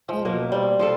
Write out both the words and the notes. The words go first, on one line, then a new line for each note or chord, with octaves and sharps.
Oh yeah.
F3
B2 A#3 A#4
G3 C4
F3 F4 A4